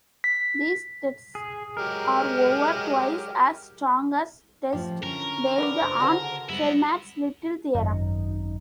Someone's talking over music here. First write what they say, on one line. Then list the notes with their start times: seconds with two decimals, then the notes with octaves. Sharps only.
These tests are over twice as strong as tests based on Fermat's little theorem.
0.24 B6
1.35 G#4
1.77 F#3 G#3 G4 A#4
4.73 A2 F3 C#4 G4
5.03 D3 C#4 A#4
5.58 D3 B4 D5
5.81 C#3 A4 C5
6.00 D3 F#4 G#4 C5
6.49 G3 G#3 B3 C4 E4
7.75 G#1 F#2 D#4